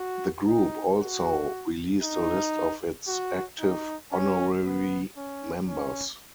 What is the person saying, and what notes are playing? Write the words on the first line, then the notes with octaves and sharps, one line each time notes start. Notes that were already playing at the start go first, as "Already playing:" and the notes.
The group also released a list of its active honorary members.
Already playing: F#4
D#4
F#4
D#4
F#4
D#4
C#4
B3
C#4
C#4